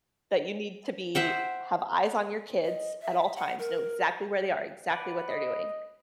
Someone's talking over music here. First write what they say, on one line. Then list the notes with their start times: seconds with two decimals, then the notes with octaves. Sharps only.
that you need to be have eyes on your kids at all times, know exactly where they are, exactly what they're doing.
1.15 C5 E5 F#5 G5
2.65 D#5
3.02 E5
3.36 F#5
3.59 A#4
4.91 B4 D5 F#5
5.28 D#5